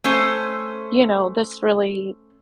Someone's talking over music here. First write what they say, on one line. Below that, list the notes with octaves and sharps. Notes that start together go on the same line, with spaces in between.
you know, "this really"
A3 C#4 C5